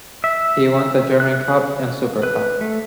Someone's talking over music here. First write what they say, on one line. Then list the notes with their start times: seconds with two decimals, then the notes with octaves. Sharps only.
He won the German Cup and Super Cup.
0.24 E5
1.20 F#6
2.23 B4
2.61 A3